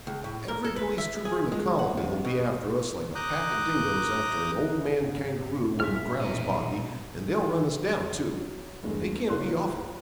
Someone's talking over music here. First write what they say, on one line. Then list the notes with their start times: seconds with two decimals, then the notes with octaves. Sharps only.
Every police trooper in the colony'll be after us like a pack of dingoes after an old man kangaroo when the ground's boggy, and they'll run us down, too; they can't be off it.
0.07 C#2
0.24 A2
0.48 A#4
0.64 A4
0.76 B4
0.98 E5
1.25 G#4
1.52 G#3
1.79 F#5
1.97 F2
2.25 B2
3.15 A#5 D6 D#6 F#6 G6
5.02 G#2
5.80 A#2 G3 G#3 E5 F6
6.21 B2 D#4
8.33 F#3
8.83 E2 G2 G#3 A3
9.29 F#1 D#4 F4 C#5 C6 F#6